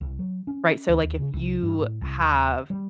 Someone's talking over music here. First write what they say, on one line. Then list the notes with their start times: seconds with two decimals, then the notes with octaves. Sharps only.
Right, so, like, if you have
0.01 C2
0.19 F#3
0.47 C#4
0.88 D2
1.03 D#2
1.19 C#3
1.34 C2
1.63 G2
1.80 A2
2.02 C2
2.20 D#2
2.70 G3